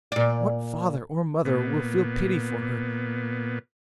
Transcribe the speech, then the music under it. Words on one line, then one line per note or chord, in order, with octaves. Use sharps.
What father or mother will feel pity for her?
A#2 D5
A#2 B3